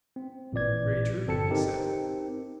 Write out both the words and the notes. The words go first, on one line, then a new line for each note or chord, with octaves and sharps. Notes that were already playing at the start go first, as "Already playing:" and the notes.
Very true, he said.
C4
A1 A#2 E3 D5 G#6
G1 C4 A4 A5 C#7
C4 D#4 G4 A#4